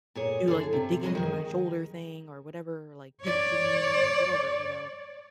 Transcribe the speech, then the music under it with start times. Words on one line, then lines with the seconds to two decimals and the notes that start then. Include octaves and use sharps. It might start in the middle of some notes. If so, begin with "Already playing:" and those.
do, like, the digging into my shoulder thing or whatever, like, pinching me or whatever, you know?
0.15 A#2 G#4 C#5
0.48 D3 E4 G#4
0.73 C3
1.03 F#3 G#3 A#4 D#5
1.15 D#3 G#4
3.21 C#5 D5